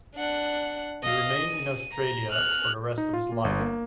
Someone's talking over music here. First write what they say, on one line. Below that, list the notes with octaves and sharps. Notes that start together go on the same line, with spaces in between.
He remained in Australia for the rest of his life.
D4 F#5
D#5 F5
D#7
A#5
F6 F#6
D#4
F4
A#3
G1
A#3